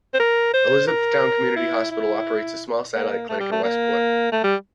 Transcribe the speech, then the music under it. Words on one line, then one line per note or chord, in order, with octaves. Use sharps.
Elizabethtown Community Hospital operates a small satellite clinic in Westport.
C5
A#4
C5
A#4
E4
E4
A#3
A3
G3
A3
A#3
A3
G3